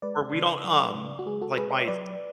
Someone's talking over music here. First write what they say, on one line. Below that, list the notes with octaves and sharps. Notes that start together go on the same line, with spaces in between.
where we don't, um, like my
G#3 B4 D5
C#3
F#3
C#3
F#4
G#3 G#4
F#4 A4
G#3 G#4 B4
C#5 E5
F#3 B4 D5